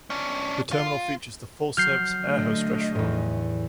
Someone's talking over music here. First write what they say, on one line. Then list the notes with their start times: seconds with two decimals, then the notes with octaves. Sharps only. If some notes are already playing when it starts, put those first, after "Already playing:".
The terminal features the full-service Air Host Restaurant.
0.10 C#4 D4
0.72 F4
1.77 F#3 F6 G6 C7
2.24 D3 A3 D#5
2.95 E2 A2